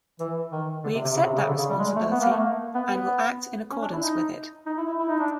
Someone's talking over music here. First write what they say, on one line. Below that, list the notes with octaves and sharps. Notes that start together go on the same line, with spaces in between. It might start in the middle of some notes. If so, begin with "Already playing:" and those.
We accept that responsibility and will act in accordance with it.
E3
D#3
D3
C3
C3
C#3
C3
C#3
D3
C#3
G3
G#3
A3
B3
A#3
A3
A#3
B3
B3
C#4
D4
E4
D#4
D#4
E4
E4
E4
D#4
D4